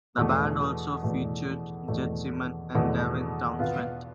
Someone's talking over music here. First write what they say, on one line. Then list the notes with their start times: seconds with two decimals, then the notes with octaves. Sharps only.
The band also featured Jed Simon and Devin Townsend.
0.17 E2 B2 A3
1.03 E2 B2 A3
1.88 E2 B2 A3
2.74 E2 B2 A3
3.59 B2 B3 F4